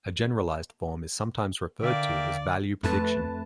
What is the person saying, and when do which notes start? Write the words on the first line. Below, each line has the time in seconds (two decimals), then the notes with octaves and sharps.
A generalized form is sometimes referred to as value prediction.
1.83 D3 A#4 D5 E5 F5 G5
2.83 F2 A3 B4 A5